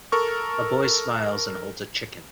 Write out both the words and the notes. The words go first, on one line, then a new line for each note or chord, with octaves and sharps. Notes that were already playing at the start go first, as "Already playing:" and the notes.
A boy smiles and holds a Chicken.
A4 A#4 C#6